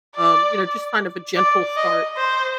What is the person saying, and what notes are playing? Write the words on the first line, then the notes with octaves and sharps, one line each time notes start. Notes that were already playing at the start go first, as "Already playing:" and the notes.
um, you know, just kind of a gentle start,
D5
D5
D#5
C5